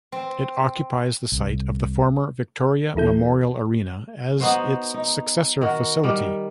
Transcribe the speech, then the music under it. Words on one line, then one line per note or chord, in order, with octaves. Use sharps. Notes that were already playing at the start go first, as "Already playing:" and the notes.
It occupies the site of the former Victoria Memorial Arena as its successor facility.
C4
C2
D#2 E3 E4 A4 G6
B3 D#4 F#4 C5
D#4
D#3 F#4
D#3 G3